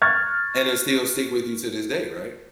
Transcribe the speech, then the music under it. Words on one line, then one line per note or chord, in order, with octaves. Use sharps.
And it still stick with you to this day, right?
C#6 F6 F#6 G#6 A6